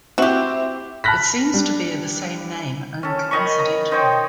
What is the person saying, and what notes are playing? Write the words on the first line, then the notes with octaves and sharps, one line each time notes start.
It seems to bear the same name only coincidentally.
C4 E4 F#4 G4
A5 B5 F6 F#6 A#6 B6
G3 D4
C#4 A4
D#3 D#5 B5 C#6
A#5
D#4 C5 C#5 G5